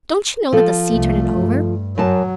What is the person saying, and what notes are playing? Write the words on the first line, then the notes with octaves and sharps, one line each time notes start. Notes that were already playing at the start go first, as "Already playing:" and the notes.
"Don't you know that the sea turned it over?"
F3 A4
C2 A3
G2
F#2 F#3 A5